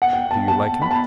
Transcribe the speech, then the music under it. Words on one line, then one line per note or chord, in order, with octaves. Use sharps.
"Do you like him?"
F#5
G5
A5
A5
B5
A5